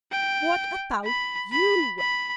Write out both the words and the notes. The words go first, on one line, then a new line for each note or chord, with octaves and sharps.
What about you?
G5
B5
B5
B5